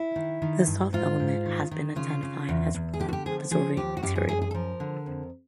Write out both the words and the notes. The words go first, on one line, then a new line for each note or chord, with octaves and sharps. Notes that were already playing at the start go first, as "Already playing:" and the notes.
The soft element has been identified as warm absorbing material.
Already playing: E4
D#3
D#3
G2
G#2 F4
G#2
D#3
D#3
C#3 F4
C#3
E2
E2
G#4
D3 G4
F#4
G4
F3 G#4
F3 G#4
D#2 G4
F#4
F#2 G4
G#4
F#2 G#4
G#4
A4
F3 A#4
D3
F2